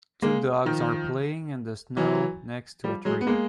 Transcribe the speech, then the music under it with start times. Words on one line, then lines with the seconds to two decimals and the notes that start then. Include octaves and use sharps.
Two dogs are playing in the snow next to a tree.
0.22 G#3 A#3
0.66 D#3 F3
1.97 E3 F#3
2.84 F3 G3
3.05 F#3 G#3
3.21 B3
3.27 G#3 A#3